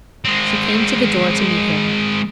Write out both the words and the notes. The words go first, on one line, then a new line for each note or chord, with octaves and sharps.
She came to the door to meet him.
G#3 C4